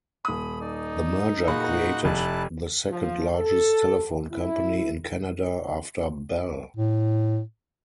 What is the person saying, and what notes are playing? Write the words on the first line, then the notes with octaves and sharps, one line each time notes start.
The merger created the second largest telephone company in Canada after Bell.
D#1 B5 D#6
D#4 D5
A#2 F#4 G#4 F#5 B5 F#6
F1 E4 A5 F#6
F3
A4
E4
A2